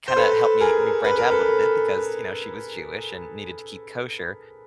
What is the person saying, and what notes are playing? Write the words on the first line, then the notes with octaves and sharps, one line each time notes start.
kinda helped me me branch out a little bit because, you know, she was Jewish and needed to keep kosher.
C5
A4 B4
G#4 A#4
B4
A#4
A4 B4